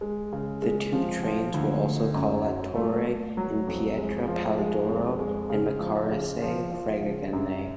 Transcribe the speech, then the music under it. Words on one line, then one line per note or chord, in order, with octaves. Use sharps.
The two trains will also call at Torre in Pietra-Palidoro and Maccarese-Fregene.
G#3
C#3
G#3
F3
F3
D2
A3
F#2
F#3
A3
A3
F#3
F2
G#3
F3
G#3
F2
G#3
C#3
F3
C#3
F3
F3
C#3
F#2